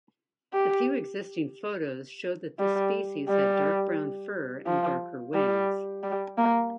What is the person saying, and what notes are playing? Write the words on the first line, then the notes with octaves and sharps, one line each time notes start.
The few existing photos show that this species had dark-brown fur and darker wings.
G4
G3
G3
F3
G3
G3
A#3